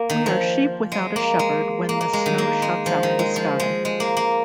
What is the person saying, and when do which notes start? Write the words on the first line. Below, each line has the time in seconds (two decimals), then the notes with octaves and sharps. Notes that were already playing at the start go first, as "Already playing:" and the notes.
We are sheep without a shepherd when the snow shuts out the sky.
Already playing: A#3
0.10 D#3
0.26 F3
0.92 G#3
1.16 A#3
1.39 G#3
1.89 A#3
2.01 A#3
2.13 G#3
2.26 D#3
2.38 A#3
2.62 G#3
2.86 F3
3.03 D#3
3.19 G#3
3.36 F3
3.60 G#3
3.85 G#3
4.00 A#3
4.17 A#3